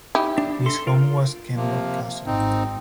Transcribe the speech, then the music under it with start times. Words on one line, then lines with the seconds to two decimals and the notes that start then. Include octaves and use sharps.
His home was Kenmure Castle.
0.15 D#4 E4 G4
0.38 D4
0.66 A4 C6
0.87 F4 A#4
1.56 C3 F3 A#3
2.26 G#1 C4 D#4